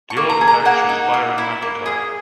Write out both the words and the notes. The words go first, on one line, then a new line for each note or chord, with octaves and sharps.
The older dancer is Byron McIntyre.
C#6
A#3
A#5
G#4
A#5
A#3 F#5
D#4
A#3
E4
A#3
G#4